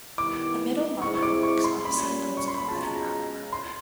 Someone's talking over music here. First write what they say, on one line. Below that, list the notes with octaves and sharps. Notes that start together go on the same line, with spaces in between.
A middle marker works on the same principle as an outer marker.
D#3 G3 B3 E4 D6
G#3 C4 E4 G#4 C5 C#6
C#6
D6
C#6
C6
A#2 G3 A#3 C#4 B5
C#6
C6
B5
B2 G#3 C#4 F4 G#4 A5
A#5
A#5
C6